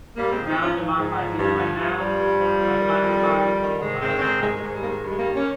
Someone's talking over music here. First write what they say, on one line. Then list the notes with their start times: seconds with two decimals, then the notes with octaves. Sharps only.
Nouns are modified either by nouns, by classifiers, or by other suffixes.
0.16 G#2 G3 A#3
0.31 G#3 C4
0.37 F3
0.46 C4 D#4
0.58 G#2 C#4 F4
0.77 F3
0.98 G#2
1.18 F3
1.38 G2
1.58 F3
1.78 G2
1.99 F3 G3
2.19 G2
2.40 F3
2.60 F2
2.80 D#3
3.01 F2
3.21 D#3
3.41 F2
3.61 D#3
3.81 G#2 G#3
4.01 D#3 G#3 C4
4.17 C#4
4.22 G#2 G#3 C4
4.42 D#3 G#3
4.57 G#3
4.63 G#2
4.74 G3
4.82 D#3 A#3
4.88 G#3
5.04 G2
5.10 G#3
5.19 G3 A#3
5.24 D#3
5.34 A#3 C#4